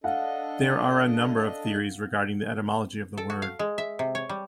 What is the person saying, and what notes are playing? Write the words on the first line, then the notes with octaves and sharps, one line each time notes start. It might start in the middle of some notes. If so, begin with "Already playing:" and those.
There are a number of theories regarding the etymology of the word.
D4 A4 D#5 F5 F#5
A4
F#4
F5
G#3
E5
C3
C#5
G3